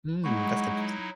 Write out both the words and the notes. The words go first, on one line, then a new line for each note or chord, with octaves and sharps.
Hmm, that's interesting.
F#3 G#3 D#4 E4 F#5 C#6